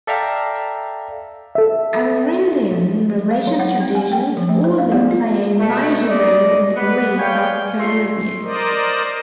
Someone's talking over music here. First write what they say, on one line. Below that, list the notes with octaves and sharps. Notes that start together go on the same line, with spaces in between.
Amerindian religious traditions also play a major role in the beliefs of Peruvians.
A4 D5 E5 F5 G5 A#5
A4 E5
F5
F#3
F#5
C4
G#5
G5
F3
A3
C5
F5
B3
F4
B2 A3
D5 D#5
B3 B4
G3 G#3 C#5 F5 G5 G#5
A#2 A3 C6
A#4 C5 D5 D#5